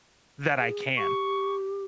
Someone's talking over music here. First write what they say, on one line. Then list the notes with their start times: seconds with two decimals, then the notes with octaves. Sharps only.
that I can."
0.59 G#4
0.97 G4 C#6